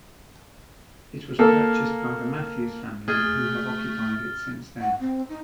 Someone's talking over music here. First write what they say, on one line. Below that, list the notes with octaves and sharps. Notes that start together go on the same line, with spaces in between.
It was purchased by the Matthews family who have occupied it since then.
A#3 A4
A3 G#4 F6 A6
F#5
C4
D#4